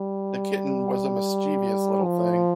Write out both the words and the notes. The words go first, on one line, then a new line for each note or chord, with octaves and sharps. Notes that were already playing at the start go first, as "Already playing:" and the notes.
The kitten was a mischievous little thing.
Already playing: G3
F3